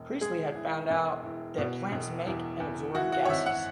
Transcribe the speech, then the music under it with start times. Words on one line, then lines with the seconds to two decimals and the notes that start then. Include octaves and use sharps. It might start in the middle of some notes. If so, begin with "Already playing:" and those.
Priestley had found out that plants make and absorb gases.
Already playing: E1
0.21 G#3 G#4
0.55 E3
0.90 E1
1.24 E3
1.58 B2
1.92 E1
2.27 E2
2.60 E2
2.95 E3 F#4
3.12 F#4
3.25 C#5
3.29 G#1 E5
3.46 F#5